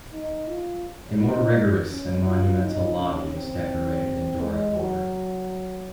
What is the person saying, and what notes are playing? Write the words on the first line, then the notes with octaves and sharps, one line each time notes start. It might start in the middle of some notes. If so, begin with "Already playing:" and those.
A more rigorous and monumental lobby is decorated in Doric order.
D#4
F4
D#4
C#4
F4
D#4
C#4
C4
G#3
F#3